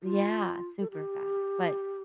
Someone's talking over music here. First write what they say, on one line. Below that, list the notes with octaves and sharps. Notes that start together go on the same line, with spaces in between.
Yeah, super fast. But,
F4
A4
G4